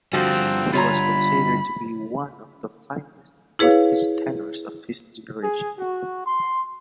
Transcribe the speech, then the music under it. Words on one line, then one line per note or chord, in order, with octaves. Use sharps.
He was considered to be one of the finest British tenors of his generation.
D3 F3 G3 C4 F#4
F4 C#5 A#5 B5
E4 G#4 B4 C#5 F5
G#4
F#4
C6